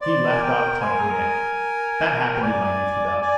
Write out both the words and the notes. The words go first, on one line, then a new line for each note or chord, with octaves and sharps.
He left off clanking it. That happened in my youth, though.
C5 D5
A#4 G#5
G5
A#4
C5 G#5
A#4
G#4
A#4
G5
D5 G#5
G#5